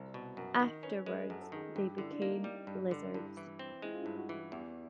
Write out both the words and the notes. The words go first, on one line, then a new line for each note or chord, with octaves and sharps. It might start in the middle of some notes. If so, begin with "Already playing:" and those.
Afterwards, they became lizards.
Already playing: C2
B2
F#2 A#4
D#3 A#4
C#4 B4
G#3 B4
F#2 A4
A4
D#3 G#4
G2 G4
D3 E4
D4
A#3 D#4
G3
G2
D3
G2 E4
E3
C4
G#3 E4
F4
G2 E4
F#4
E3
E2 G4